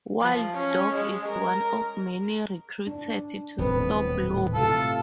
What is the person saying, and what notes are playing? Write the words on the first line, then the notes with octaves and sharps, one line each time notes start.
Wild Dog is one of many recruited to stop Lobo.
F3
C#4
G#3
A#4
D4
D#1 A2 F#3 B3 C4 B4
C3 A3 F4 A4